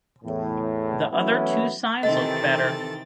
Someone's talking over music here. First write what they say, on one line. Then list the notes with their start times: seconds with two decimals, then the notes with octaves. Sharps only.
The other two signs look better.
0.25 E2 A2
1.12 E3 F#3 A3 B3 C#4 E4
2.03 C3 D#3 E3 C4 A4 D#5 A6